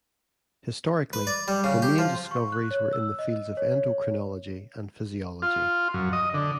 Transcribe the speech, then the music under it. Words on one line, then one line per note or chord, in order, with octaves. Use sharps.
Historically, the main discoveries were in the fields of endocrinology and physiology.
B4
D5
G3
C#3
G4
F3
C#6
F#6
C#5
E6
D#5
C#5
F4
F#2
D#5
D3